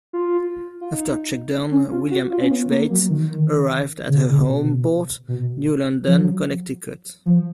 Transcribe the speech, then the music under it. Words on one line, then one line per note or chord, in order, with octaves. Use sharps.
After shakedown, "William H. Bates" arrived at her home port, New London, Connecticut.
F4
F4
D#4
C#4
F4
F#4
F4
C#4
B3
A#3
F#3
D#3
C#3
C#3
B2
B2
F3
F#3
F3